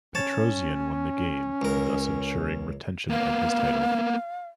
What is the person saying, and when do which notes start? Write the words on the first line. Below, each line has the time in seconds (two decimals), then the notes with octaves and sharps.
Petrosian won the game, thus ensuring retention of his title.
0.15 C#4 C#5 A5
1.62 C#2 A#4
3.10 A#3 B3 F5